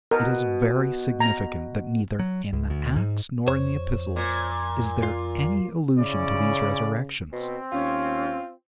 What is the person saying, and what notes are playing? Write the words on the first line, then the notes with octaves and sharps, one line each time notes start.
It is very significant that neither in the Acts nor in the Epistles is there any allusion to these resurrections.
B2 A#4
A#5
F#3
C#2
D2
G#2
F2 C5 C#5
A#2
F4
C#3 C#4 E4 D5
B2 C4
D#2 C#4 F4